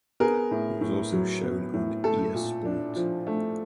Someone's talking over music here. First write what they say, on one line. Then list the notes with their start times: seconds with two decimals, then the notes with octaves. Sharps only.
It was also shown on Eir Sport.
0.20 B3 G#4 A#4
0.51 A2
0.81 A2
1.12 F#3
1.43 B3
1.73 A2
2.04 A3 A4
2.34 A#2
2.65 D4
2.96 F3
3.27 A3